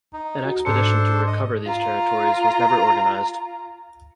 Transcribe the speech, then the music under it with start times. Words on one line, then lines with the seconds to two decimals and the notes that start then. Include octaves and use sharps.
An expedition to "recover" these territories was never organized.
0.13 D#4
0.45 F#4
0.65 G#2 D4 A4 C5 C#7
1.27 D#5
1.66 F4 A#5